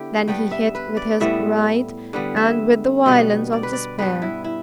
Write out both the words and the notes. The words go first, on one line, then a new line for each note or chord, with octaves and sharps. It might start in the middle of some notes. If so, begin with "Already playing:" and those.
Then he hit with his right and with the violence of despair.
Already playing: D3 B3 D4 E4 G4
G2 G3 B3 G5
E5
B4
D5
A2 G3 B3 E5
D3 G3 B3
E5
B2 G3 B3
D5
B4
D5
G2 G3 B3 B4
E4
E4